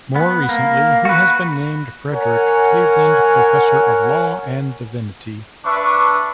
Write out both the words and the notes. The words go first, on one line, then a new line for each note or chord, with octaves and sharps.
More recently, he has been named Frederic Cleaveland Professor of Law and Divinity.
B3
A#3
F#4 B4
A#4 C#5 F#5 G#5
D4 B4 E5 C#6